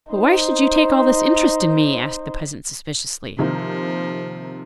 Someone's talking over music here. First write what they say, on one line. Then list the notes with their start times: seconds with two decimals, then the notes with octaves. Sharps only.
'But why should you take all this interest in me?' asked the peasant suspiciously.
0.13 D#4 C5
3.38 C3 D#3 F3 A#3